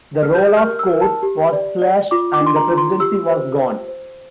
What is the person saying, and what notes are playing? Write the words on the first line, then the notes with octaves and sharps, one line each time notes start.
The role of courts was slashed, and the Presidency was gone.
F6
G4 G6
F6
A#4
E6
A#4
A5
G4
D5
D5
F4 D6
D6
D4
C6
A#5
F4
C6
G4 E6
C5
C5
C5